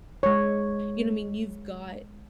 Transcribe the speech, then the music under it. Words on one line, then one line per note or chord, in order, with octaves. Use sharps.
you know, I mean, you've got,
G#3 C#5